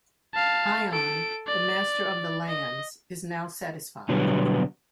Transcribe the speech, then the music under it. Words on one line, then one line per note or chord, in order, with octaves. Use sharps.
Ion, the master of the lands, is now satisfied.
F5 A5
A4 D7
D5
D#5
B2 D3 F#3 G3 B3